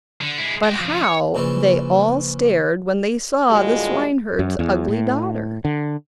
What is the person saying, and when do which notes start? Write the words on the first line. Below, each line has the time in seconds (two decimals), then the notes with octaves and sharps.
But how they all stared when they saw the swineherd's ugly daughter!
0.21 D3
0.38 G#3 E4
0.63 F#4 G5
0.80 F3 C#4
1.04 C#5
1.35 A#2 C#3 E3 F3
3.49 D#2 A2 G3 G#3 F4 F#4
4.39 F#2
4.59 E2
4.88 A2
5.65 D3